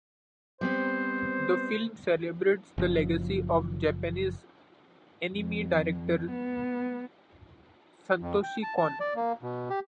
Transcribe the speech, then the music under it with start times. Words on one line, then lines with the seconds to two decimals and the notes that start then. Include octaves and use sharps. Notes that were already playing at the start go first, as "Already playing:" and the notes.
The film celebrates the legacy of Japanese anime director Satoshi Kon.
0.61 G3 B3 C4 C5
2.78 F#1 F3
5.35 F2
6.31 B3
8.21 F2
8.43 G5
8.63 A5
8.77 A5
9.00 D5
9.16 A#3
9.42 B2
9.70 G4